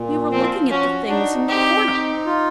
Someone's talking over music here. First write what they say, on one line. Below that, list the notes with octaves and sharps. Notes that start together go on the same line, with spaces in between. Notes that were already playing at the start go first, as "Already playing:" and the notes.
'We were looking at the things in the corner.'
Already playing: A#2
F3 C4
C#4 F#4
D4 D#4
C4 G4
D#4
F4